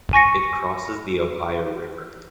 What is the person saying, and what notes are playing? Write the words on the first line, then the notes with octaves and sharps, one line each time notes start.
It crosses the Ohio River.
G#5 C#6 A#6 C#7